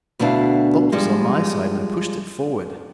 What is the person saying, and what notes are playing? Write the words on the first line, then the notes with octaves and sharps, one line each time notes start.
The bolt was on my side, and I pushed it forward.
D2 B2 B3 D4 E4 F5
F3 G3 G#3